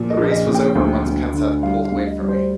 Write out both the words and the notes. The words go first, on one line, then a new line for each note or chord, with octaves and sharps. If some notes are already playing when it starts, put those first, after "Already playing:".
The race was over once Kenseth pulled away from me.
Already playing: A#2 F3
D#5
A#1
D#5
A#1
G5
D2
D2
D3
G3 F5
F5
D2
D#5
G3
C5